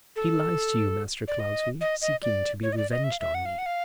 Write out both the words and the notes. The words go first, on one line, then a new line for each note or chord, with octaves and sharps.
"He lies to you, Master Cloudesley, seeking to be revenged on me."
A4
D5
D#5
D#5
D#5
D5
C#5
D#5
D5
D#5
E5
F5
E5
F#5
F5
F#5
F5